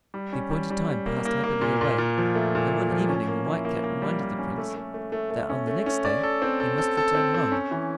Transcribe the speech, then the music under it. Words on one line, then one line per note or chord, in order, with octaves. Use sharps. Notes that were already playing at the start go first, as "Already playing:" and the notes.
The appointed time passed happily away, and one evening the White Cat reminded the Prince that on the next day he must return home.
G3
C#4
G3
G3
G3
A#3
A#3
A#3
A#2
A#2
A#2
F3
A3
A#2
A3
F3
C#4
A#3
E4
A#3
A#3
G3
A#3
C#4
A3
A3
A3
A3
A3
C#4
A3
C#4
D5
A4
C4
A4
A4
A4
C4
C4
C#4
E3